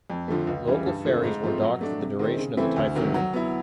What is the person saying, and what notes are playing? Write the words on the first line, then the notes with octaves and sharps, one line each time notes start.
Local ferries were docked for the duration of the typhoon.
F2
D3 F3 A3
C#2
C#3 E3 G3
G2
D3 F3 A3 C4
G#2
F3 A3 C4
F#3
A3 D4
C3
D#3 G#3 C4
C#3
E3 A3 C4 E4
D2
C3 D#3 F#3
F#3
B3 E4